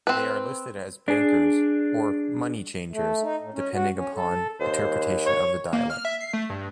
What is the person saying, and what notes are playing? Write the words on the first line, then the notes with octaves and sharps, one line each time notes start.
They are listed as 'bankers' or 'money-changers' depending upon interpretation of the dialect.
C4 B4
D4 G#4
A3
D#4
A2
C#4
F#4
C#4
A4
D#2 C5
C#5
A#3
F6
E5
C7
A3
G2